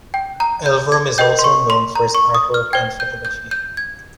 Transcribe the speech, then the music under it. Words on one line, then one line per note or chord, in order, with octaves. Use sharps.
Elverum is also known for his artwork and photography.
G5
A#5
G6
G#6
A#4 D#5 G5 G6
C6
C#6
C6
A#5
C#6
D#6
F6
C5 G5 G#6
G6
G6
G6
G#6